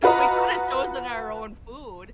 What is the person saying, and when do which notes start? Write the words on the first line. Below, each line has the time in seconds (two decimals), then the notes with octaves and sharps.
We coulda chosen our own food,
0.03 F4 F#4 B4 D#5 A#5